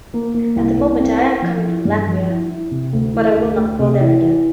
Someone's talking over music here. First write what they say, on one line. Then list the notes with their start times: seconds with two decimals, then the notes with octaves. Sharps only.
At the moment I am coming from Latvia, but I will not go there again.
0.14 A#3
0.34 A#3
0.56 C2
0.77 C2
1.00 C4
1.20 E4
1.42 F3
1.64 E4
1.85 G2
2.07 F3
2.29 E4
2.50 E4
2.71 C3
2.93 D2
3.14 E3
3.36 D2
3.57 D2
3.79 C3
4.01 E3
4.21 E3